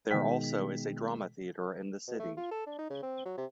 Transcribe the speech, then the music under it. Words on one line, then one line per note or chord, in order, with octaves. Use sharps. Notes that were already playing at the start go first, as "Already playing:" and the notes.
There also is a drama theater in the city.
B2 D#3 G#3 G5 B6
B2
A3
F4
A4
D4
D#4
C#3
C4
F#3
C3